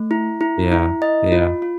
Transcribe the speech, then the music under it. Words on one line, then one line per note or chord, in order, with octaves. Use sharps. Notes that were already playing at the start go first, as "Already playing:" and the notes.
Yeah. Yeah.
Already playing: A3
E4
E4
E4
D#5
F4
F4